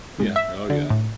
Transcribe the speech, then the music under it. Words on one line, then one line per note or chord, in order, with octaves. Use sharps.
Yeah, oh, yeah.
G#2
E5
D3
A2